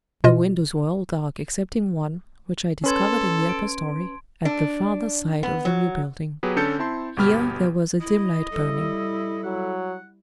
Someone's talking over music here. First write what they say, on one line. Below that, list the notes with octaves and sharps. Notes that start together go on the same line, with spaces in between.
The windows were all dark excepting one, which I discovered in the upper storey, at the farther side of the new building. Here, there was a dim light burning.
B2 F4 D#5
C#4 A4 B4 A5 C6 G#6
D7
D4
B3
F#3
F#3 B3 G4 G#4 B4
D3 C#4 A4 G6 A6 C#7
C4 E4 A5 C6
G1 B2 G4 B5 F6
E4 D#5
G3 E4 A4
F#3 F#5